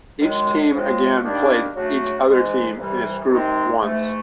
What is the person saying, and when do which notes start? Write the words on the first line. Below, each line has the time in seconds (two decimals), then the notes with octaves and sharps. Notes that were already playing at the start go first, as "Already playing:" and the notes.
Each team again played each other team in its group once.
0.20 F#2 D#3 G#3
0.71 C#3 F3 G#3 C4
1.22 D#3 G3 A#3 D4
1.74 C#3 F#3 A3 D4 F#4
2.26 G#2 E3 G#3
2.77 C2 C3 E3 G3
3.28 C3 D#3 G#3 C4 D#4
3.79 G#2 E3 A3